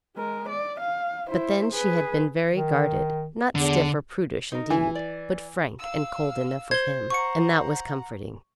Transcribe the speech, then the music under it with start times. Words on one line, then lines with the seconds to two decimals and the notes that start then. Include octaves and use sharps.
But then she had been very guarded; not stiff or prudish, indeed, but frank and cold enough with him, and that was comforting.
0.16 G#3 A#4
0.49 D5
0.80 F5
1.28 E4 C5
1.73 G#4 B4
2.52 D#3
3.55 E2 D3
4.52 D#4 A#4
4.70 E3 E5 G#5
4.95 D5
5.79 F5 E6
6.71 C5 G#6 G7
7.10 F#5 A#5 C#6 C#7